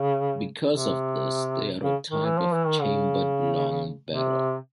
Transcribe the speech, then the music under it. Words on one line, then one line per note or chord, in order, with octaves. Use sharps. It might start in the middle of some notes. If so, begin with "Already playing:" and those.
Because of this they are a type of chambered long barrow.
Already playing: C#3
C3
C#3
D#3
E3
F3
E3
D#3
C#3
C3